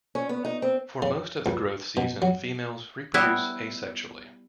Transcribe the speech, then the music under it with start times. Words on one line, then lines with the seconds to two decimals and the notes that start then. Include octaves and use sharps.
For most of the growth season, females reproduce asexually.
0.15 C#4
0.29 B3
0.45 D#4
0.62 C4
1.02 C#3
1.46 C#2
1.97 B2
2.22 F#3
3.14 G3 B3 E4